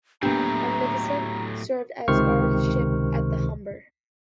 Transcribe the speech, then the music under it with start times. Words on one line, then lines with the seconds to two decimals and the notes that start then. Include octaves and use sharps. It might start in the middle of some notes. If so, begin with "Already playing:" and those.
"Magnificent" served as guard ship at the Humber.
0.23 A2 F#3 A#3 B3 D4 G4 A#5
2.08 C#2 C3 D#3 C5 C#6 F6